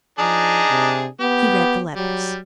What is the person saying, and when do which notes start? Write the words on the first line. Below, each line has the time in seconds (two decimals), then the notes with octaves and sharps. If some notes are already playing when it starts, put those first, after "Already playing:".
He read the letters.
0.19 F3 D4 D#4 G#4
0.70 C3
1.20 B3 G4
1.96 F#3 G3